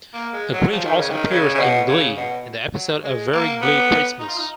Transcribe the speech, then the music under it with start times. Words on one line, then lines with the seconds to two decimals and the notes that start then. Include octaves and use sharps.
The Grinch also appears in "Glee" in the episode "A Very Glee Christmas".
0.14 A#3
0.33 G#3
0.53 F#3
0.72 F3
0.85 D#3
0.98 C#3
1.10 D#3
1.30 C#3
1.54 C#3
1.59 B2
1.88 C#3
2.17 B2
2.74 F#3
3.04 G#3
3.33 A#3
3.62 B3
4.20 D#4
4.28 F4
4.38 D#4